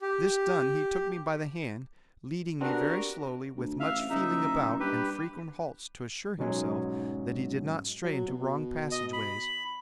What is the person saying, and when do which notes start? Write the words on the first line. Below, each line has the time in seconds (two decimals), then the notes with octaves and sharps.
This done he took me by the hand, leading me very slowly, with much feeling about and frequent halts to assure himself that he did not stray into wrong passageways.
0.02 G4
2.61 B3 C4 D4 F#4 G4 A#4
3.56 D2
3.80 A1 E5 F5
4.10 F#1 D#4 E5
4.80 G2 G4 B4
6.38 B1 G#2 F#3 G#3 C#4
8.04 F#3
8.28 B2
8.92 D#5
9.13 B5